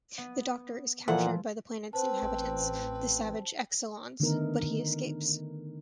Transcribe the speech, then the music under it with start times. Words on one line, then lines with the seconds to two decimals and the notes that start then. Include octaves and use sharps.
The Doctor is captured by the planet's inhabitants, the savage Exxilons, but he escapes.
0.18 B3
1.08 A#2 E3 F3 E4 A4 C5 F#5
1.93 C4 B4 C5 A5
2.22 A1
4.20 D3 D#3 A3 B3 D#4 A#4